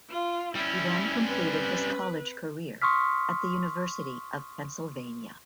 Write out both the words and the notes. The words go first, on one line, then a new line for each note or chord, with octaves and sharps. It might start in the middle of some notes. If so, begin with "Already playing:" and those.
He then completed his college career at the University of Pennsylvania.
F4
G3 C#4 E4
C4 B4
C6 C#6 D#6 F6 B6